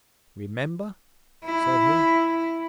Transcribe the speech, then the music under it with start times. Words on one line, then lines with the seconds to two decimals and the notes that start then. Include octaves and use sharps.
"Remember!" said he.
1.44 E4